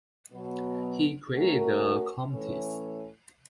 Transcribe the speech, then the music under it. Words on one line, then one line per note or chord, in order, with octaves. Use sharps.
He created the Comtesse.
B2 F#3 B3
A3 C#4 F#4 A#4
A2 E3 A3 C#4